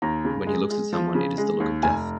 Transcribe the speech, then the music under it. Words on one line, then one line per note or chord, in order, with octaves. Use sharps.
When he looks at someone, it is the look of death.
D#2 A#5
C#3
G#3
G#3
F3
C#3
G#3
D#2
F1 G#5